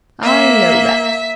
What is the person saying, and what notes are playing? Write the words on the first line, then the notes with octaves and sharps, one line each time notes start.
I know that.
A#3 E5 B6